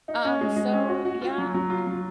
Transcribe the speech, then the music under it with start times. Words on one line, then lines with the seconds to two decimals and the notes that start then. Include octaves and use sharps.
Um, so yeah,
0.08 D#4
0.25 C#4
0.41 G#3
0.56 G#3
0.73 C#4
0.89 F#4
1.05 F#4
1.22 F4
1.38 F#3
1.54 F#3
1.70 F4
1.87 F#3